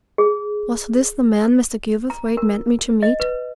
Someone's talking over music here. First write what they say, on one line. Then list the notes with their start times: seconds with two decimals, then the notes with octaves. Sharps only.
Was this the man Mr. Gilverthwaite meant me to meet?
0.18 G#4
2.10 A#5
2.37 A#4
3.03 D#5
3.20 B4